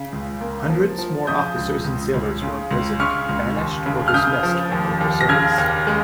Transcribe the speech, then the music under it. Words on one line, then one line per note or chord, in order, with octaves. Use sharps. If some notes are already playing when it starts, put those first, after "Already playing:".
Hundreds more officers and sailors were imprisoned, banished or dismissed from naval service.
Already playing: C#3
C#2
A#3
F3
F3
C#3 D#6 G6
C#2
C#2
C#2
C#3
C#2
C#3 C#6 F6
C#2
D#2
C#3
F6
C#3 D#6 G6
F3
D#2
D#2
A#6
C#3 F6 G#6
D#2
G#3